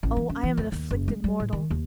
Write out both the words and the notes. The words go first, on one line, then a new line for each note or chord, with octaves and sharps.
Oh, I am an afflicted mortal.
A1
E3
F#2
E3
F2
D#2
F#1
G#3
G3
A2
D#3
D#2